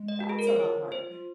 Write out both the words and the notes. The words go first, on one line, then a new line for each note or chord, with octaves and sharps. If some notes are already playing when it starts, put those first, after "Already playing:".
That's a lot harder.
Already playing: G#3
D#5
F#4
G#4
A#4
C5
F4 C#5
F4
F4 C5
F4